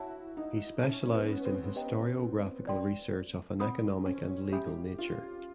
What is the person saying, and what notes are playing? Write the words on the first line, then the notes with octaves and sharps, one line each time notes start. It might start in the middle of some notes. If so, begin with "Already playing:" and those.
He specialized in historiographical research of an economic and legal nature.
Already playing: E4 F#4 C#5 E5 A5
D#4
C#4 C#5 E5 A5
B3
C4
G4 B4 D#5 G5 A#5
D5 G5 C6
C4 F#5 B5 D#6
C#4
G4 E5 G#5 B5 D#6 G6
F4